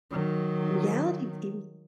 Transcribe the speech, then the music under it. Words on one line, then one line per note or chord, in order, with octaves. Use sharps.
Reality TV.
D#3 F#3